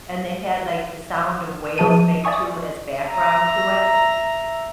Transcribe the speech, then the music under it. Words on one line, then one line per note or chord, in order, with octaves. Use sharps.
and they had, like, the sound of whales make two as background to it
F3 G#4 A5 D#7
D5 E5 G#5 C#6 D#6
E5 A#5